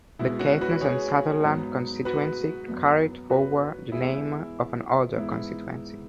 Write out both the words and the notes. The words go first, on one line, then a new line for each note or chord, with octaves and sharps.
The Caithness and Sutherland constituency carried forward the name of an older constituency.
B2 G#3 B3 E4
C#4 F#4
F#4 B4
G#4 C#5
G#2 F#3 B3
F#4 B4
F#2 F#3 B3
F#4 B4
E2 E3 G#3 B3 E4 G#4
G#2 E3 G#3 B3 E4